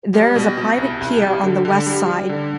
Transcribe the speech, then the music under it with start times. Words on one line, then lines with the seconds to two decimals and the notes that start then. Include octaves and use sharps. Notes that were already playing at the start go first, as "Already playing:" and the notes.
There is a private pier on the west side.
0.14 G3
0.36 B2
0.58 B2
0.78 C2
1.01 C2
1.22 G3
1.43 D3
1.65 D3
1.87 G3
2.08 G3
2.29 D3